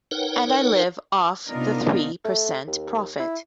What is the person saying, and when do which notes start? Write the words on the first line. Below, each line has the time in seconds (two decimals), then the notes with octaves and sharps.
And I live off the three percent profit.
0.11 D#4 A#4 B4 C#5 F#5 G5
1.48 C3 B3 D4 D#4 F4 A#4
2.25 A3
2.67 D#2
3.19 E4